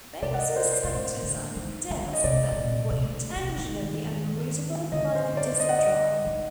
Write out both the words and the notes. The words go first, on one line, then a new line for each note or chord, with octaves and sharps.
These were sectors on the disk that were intentionally unreadable by the disk drive.
C3 D5
F#5
D#5
A#4
C5
C5
A#2
A2
D3
D#3
D3
D#5
C3 D5
A2
A#2
C3
D3
C3
D#3
D3 D#5
C5
D5
D#5
F#5
D#5
D#3